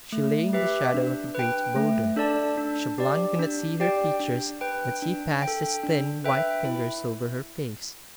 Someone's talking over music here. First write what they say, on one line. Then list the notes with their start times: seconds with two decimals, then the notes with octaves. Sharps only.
She lay in the shadow of a great boulder; Chauvelin could not see her features, but he passed his thin, white fingers over her face.
0.12 A3
0.53 G4 B4 E5
0.94 D4
1.35 B4 G5
1.76 A3
2.16 D4 A4 D5 A5
2.57 D4
2.98 G4 D5
3.39 D4
3.80 G4 D5 G5
4.20 D4
4.61 B4 G5
5.02 D4
5.42 G5
5.48 A4
5.84 D4
6.24 B4 E5 G5
6.65 E4